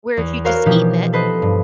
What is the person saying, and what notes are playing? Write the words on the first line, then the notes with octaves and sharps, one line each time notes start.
where if you'd just eaten it
E2
F#4 A#4 C5 C#5 F5
B2 E3 F3 A#3 D#4 G4
A4 B4 C5 D#5
G2